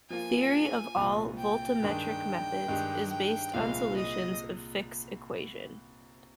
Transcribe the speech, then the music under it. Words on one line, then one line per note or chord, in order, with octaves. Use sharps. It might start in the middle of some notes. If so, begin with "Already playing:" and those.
Theory of all voltammetric methods is based on solutions of Fick's equation.
F3 A#3 F4 G#5
C2 A#2 F3
G5
G2 D#3 G#3 D4
G2 D#3 G#3 D4 G4
G5
C2 A#2 F3 G#3 F5
D#5